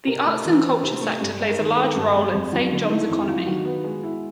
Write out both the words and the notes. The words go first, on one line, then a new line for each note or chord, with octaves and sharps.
The arts and culture sector plays a large role in Saint John's economy.
C3 A#4
A3
E3
C4
C3
A3
G2
G#3
A#4
D#3
B3 A4
G2
G#3
F2
F#3
D3
D#4
A3 E4
F2 E4
F#3 F4
D#3 F#4
B3
G#3
E4